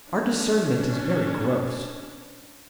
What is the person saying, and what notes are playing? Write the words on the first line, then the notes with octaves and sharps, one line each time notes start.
Our discernment is very gross.
C#4 D4